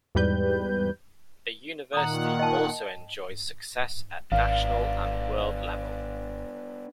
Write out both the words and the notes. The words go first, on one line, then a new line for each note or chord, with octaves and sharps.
The University also enjoys success at National and World level.
E2 G#2 G3 B4 G6
A#2 D#3 F#5 A#5 D#6
D#5 G5 A5
G#1 B3 D4 F5